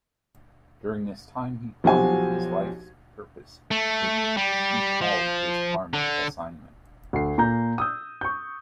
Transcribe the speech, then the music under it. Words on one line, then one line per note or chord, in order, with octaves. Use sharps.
During this time, he pondered his life's purpose, which he called his karmic assignment.
B1 F3 F#4 G4 C5 G#5
A3
G3
F3
D3
D2 C7
A#2 A#5 G6
D#6 E6 G6
C#6 G6